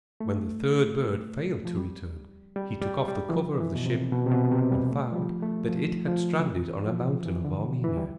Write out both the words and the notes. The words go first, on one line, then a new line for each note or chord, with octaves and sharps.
When the third bird failed to return, he took off the cover of the ship and found that it had stranded on a mountain of Armenia.
A3
F3
G3
G3
G3
G3
E3
F3
E3
B2
C3
B2
C3
B2
C3
G3
A3
F3
G3
A3
F3
F3
D3
E3
F3
E3
D3
E3
G3